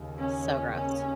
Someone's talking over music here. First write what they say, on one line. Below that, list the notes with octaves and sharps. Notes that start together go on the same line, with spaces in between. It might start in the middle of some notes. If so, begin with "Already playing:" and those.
so gross.
Already playing: D#2 C#3
C#4
C#4